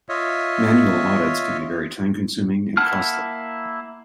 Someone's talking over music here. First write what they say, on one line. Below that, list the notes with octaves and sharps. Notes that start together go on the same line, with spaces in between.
Manual audits can be very time-consuming and costly.
F4 C#5 D#5 E5
A#3 E4 F#5 A5 F6